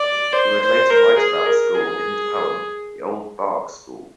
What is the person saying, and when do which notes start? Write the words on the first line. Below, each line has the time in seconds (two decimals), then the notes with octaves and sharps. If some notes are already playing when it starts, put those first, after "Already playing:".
He would later write about the school in his poem, "The Old Bark School".
Already playing: D5
0.33 C5
0.62 C5
0.90 A#4
1.17 G#4
1.46 A#4
1.74 G#4